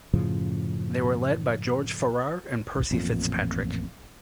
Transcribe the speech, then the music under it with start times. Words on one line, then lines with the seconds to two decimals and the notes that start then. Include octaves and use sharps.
They were led by George Farrar and Percy Fitzpatrick.
0.14 F#2 A2 C#3 F3
2.91 A1 F2 A#2